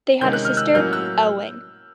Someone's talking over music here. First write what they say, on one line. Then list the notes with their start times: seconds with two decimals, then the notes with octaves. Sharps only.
They had a sister Elwing.
0.21 C3 D#3 G#3 C#4 G6
0.33 F#6
0.45 F6
0.57 E6 F#6
0.74 A2 F#3 A#3 C#4 F6 G6
0.93 E6 F#6